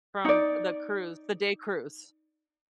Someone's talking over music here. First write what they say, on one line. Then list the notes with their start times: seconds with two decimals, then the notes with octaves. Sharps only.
from the cruise the day cruise.
0.25 D#4 D5